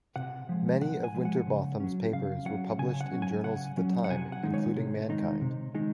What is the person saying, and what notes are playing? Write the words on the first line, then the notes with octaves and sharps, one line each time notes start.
Many of Winterbotham’s papers were published in journals of the time including "Mankind".
C3 F#5
F3 G#3
C3 F#5
G#5
F3 G#3
F#5
C#3
F#3 C#4
C#3 F5
F#3 C#4 F#5
C#3 G#5
F#5
F#3 C#4
G#5
C#3 F#5
F#3 C#4
F#5
C3 G#5
F#5
D#3 G#3 D#4
C#5
C3
D#3 G#3 D#4
C3
D#3 G#3 D#4